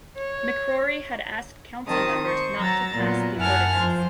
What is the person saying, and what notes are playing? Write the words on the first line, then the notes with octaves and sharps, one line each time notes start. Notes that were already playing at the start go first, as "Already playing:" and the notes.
McCrory had asked council members not to pass the ordinance.
C#5
D#3 C4 A5 D#6
C5 C#6
F#3 A#5 E6 A6
A#2 F#3 B3
F#2 E4 F#5 G#5 A5 F6
F2 F3 C5